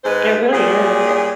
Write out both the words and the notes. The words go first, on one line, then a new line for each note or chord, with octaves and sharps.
It really is, de
G#2 G#3 B4 C5
A#2 C#3 G3 G#4